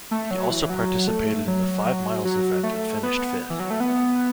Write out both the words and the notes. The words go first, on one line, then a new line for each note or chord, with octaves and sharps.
He also participated in the five miles event and finished fifth.
A3
F#3
E3
F#3
A3
F#3
F#3
F#3
A3
B3
E3
F#3
A3
B3